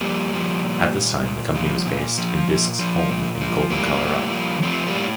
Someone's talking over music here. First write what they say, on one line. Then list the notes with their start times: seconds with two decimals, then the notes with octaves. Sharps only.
At this time, the company was based in Bisque's home in Golden, Colorado.
0.01 F3 G3 A#3
0.33 F3
0.64 A#2
0.94 A#2
1.25 A#2
1.55 F3
1.87 A#2
2.18 F3
2.48 A#2
2.79 F3
3.10 A#2
3.41 F3
3.71 A2 G3 A#3
4.01 A2
4.32 F3
4.63 F3 A3 C4
4.87 G3 A#3
4.95 A2